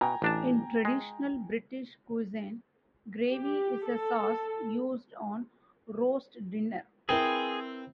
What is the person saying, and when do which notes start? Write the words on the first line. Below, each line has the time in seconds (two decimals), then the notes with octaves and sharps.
In traditional British cuisine, gravy is a sauce used on roast dinner.
0.01 B2 G5 G#5 A#5
0.22 A1 D4 A5
0.85 G#3
3.32 G4
3.89 A4
7.09 C4 E4 G#4 A#4 B4